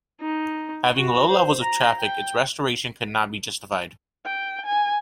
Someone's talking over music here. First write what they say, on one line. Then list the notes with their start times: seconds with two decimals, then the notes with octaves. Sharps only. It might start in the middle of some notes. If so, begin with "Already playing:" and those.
Having low levels of traffic its restoration could not be justified.
0.21 D#4
0.95 F#4
1.29 C5
1.61 A#5
2.00 G5
4.26 G5
4.66 G#5